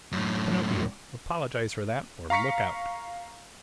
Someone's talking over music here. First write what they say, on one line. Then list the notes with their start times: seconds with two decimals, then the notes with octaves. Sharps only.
"Pinocchio, apologize for that, or look out!"
0.12 F#2 A2
2.30 F5 A#5 C#6 B6 C#7